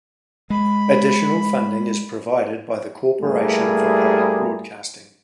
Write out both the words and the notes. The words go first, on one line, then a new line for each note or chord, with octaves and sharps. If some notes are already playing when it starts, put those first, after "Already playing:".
Additional funding is provided by the Corporation for Public Broadcasting.
G#3 B5
G2 G3 A3 A#3 E4 G#4